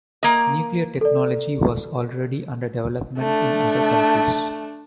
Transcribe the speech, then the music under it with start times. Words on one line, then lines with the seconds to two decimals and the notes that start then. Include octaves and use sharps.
Nuclear technology was already under development in other countries.
0.23 A#3 D#5
1.01 A4 D5
3.19 A3 D4